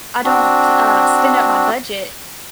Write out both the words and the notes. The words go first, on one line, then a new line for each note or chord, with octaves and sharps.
I don't, uh, spend up my budget
C4 D4 F#4